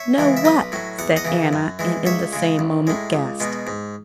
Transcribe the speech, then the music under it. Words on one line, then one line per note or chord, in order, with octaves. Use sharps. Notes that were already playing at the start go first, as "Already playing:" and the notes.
'No. What?' said Anna; and in the same moment guessed.
Already playing: C#5 E5
C#3 E3 G#3
E5
B1 B4 D#5
A2 F#3
E2 F#5
D#5 F#5
C#3 E3
F#2
E3 G#3
C#2 C#5 E5
C#3 G#3
A1
A2 G#3
C#2
B2 G#3
G#2